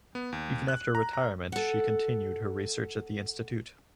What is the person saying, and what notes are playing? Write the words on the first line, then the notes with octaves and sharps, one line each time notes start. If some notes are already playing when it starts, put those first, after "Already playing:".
Even after retirement she continued her research at the Institute.
B3
D#2
F#6
A#5
A#5
A4 F#5